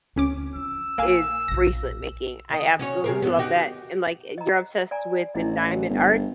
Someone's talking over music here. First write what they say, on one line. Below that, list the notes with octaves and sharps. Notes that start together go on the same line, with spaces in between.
is bracelet making. I absolutely love that, and, like, you're obsessed with the diamond art,
D2 C4 C#4 D6
F3 E6
A#1 A#3 F5 G#5
A#1 B2 A#6
D#3 D#5
C#4 F#4 C#5
C3 G#4 A#4
E2 G2 B3
D#4 F#4 G4
D#5 A#5
D5 G#5 A#5
A1 D4 E4 D#5
G1